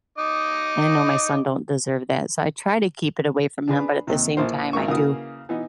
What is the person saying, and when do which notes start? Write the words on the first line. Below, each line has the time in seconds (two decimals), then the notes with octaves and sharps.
I know my son don't deserve that. So I try to keep it away from him, but at the same time, I do
0.18 D#4 D#5 D6
3.68 D4 G#4 B4
4.07 D#2 C3
4.37 A#1 E3 A#3 A#4 C5
4.73 G#1 A#3 C#6
4.88 C#3 E3 A#3 F#4 D#6
5.49 E3 B3 D#4